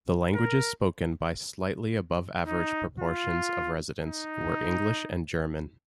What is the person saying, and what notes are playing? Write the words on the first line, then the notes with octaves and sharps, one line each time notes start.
The languages spoken by slightly above-average proportions of residents were English and German.
A#4
D#4
F4
D#4